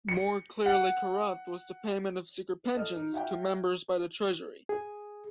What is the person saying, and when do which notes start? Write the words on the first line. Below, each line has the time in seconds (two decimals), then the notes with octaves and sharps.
More clearly corrupt was the payment of secret pensions to Members by the Treasury.
0.09 C#7
0.66 F#5
2.75 A4 D#5 F6
2.96 D#4
3.12 F#4 E5 F#5 G5
4.69 G#4